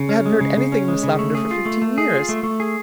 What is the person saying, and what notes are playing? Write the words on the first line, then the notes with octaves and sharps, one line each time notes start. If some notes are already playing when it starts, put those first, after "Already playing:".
He hadn't heard anything of Miss Lavendar for fifteen years.
Already playing: C#3
C#4
G#3
C#3
C#3
C#4
G#3
C#3
A3
G#4
F4
A3
A3
G#4
F4
A3
A3
G#4